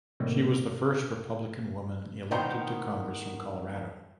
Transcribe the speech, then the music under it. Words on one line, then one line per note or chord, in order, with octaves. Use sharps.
She was the first Republican woman elected to Congress from Colorado.
A2 C3 D#3 G3 A3 A#3
A2 D#3 B3 C5 G5 A#5